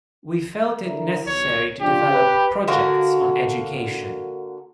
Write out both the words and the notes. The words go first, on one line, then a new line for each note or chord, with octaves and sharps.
We felt it necessary to develop projects on education.
D3 E4 A#4
B1 C#5
F3 D4 F4 G4
B4
D3 A#3 F#4 A#4